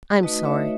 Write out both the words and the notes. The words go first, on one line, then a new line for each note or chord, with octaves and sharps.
I'm sorry.
A3 D#4 F#4 B4 D#5
C#5 E5